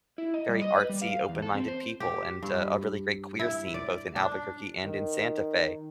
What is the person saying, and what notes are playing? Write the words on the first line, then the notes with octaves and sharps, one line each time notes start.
very artsy, open-minded people, and a really great queer scene both in Albuquerque and in Santa Fe,
E4
D#5
G3
D#5
B4
G3
F5
E2
A4
C4
C5
G4
G2
E4
D5
D4
D#3